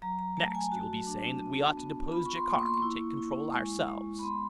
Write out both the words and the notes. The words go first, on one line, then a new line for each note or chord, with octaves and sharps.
"Next, you'll be saying that we ought to depose Jaikark and take control ourselves."
F#3 A#5
A#5
A3 A5
G#5
F#4 A5
D4
B3
B3
F4 B5
C#6
C6
A#3
C#6
C6
C#6
E4
E4
G#3
G#3
B5
B3 C6